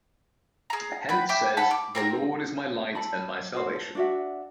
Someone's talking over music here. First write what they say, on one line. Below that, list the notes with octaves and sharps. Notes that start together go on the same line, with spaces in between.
Hence says: The Lord is my light and my salvation.
G#4 A#5
B4 F#5 G5 B5
E5 G5 B5 D6
A4 F#5 A5 B5
D6
C4 A#4 A5 A#5
A4 A5 B5
F#4 C5
A4
D4 F#4 E5